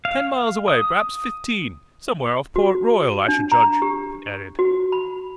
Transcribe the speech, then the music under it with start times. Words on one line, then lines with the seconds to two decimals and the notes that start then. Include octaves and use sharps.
"Ten miles away, perhaps fifteen--somewhere off Port Royal, I should judge," Pitt added.
0.05 F5
0.68 D#6
2.56 F#4
3.28 D4
3.52 A#5
3.82 G4
4.59 F#4
4.92 B5